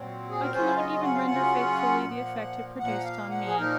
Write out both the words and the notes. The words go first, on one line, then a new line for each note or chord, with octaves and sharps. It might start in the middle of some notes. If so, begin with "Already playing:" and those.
I cannot even render faithfully the effect it produced on me.
Already playing: A#2 F#3 C4
G#4
A#4
C#3 F#3 C#4 F4 C5
D#5
F#5
F5
C#3 F#3 C#4 F4 F#5
A#2 F3 A#3
A#2 F3 A#3 F#5
F5
F#5
G#4
A#2 F3 A#3 D#4 A#4